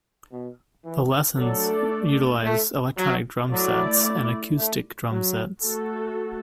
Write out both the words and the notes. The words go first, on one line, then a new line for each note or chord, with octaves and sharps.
The lessons utilize electronic drumsets and acoustic drumsets.
B2
E3
F#3 A3 D4 A4 D5
A3
F#3
F#3 A3 E4 D5
A3
F#3
A3 F#4 A4